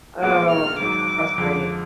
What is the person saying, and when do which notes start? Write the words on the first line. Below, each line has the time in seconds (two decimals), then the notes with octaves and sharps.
Oh, how frustrating.
0.22 A#1 A#2 F3 G#3 B3 D6
0.51 F6
0.80 G#1 G#2 F#3 D6
1.38 F2 D3 F3 G#3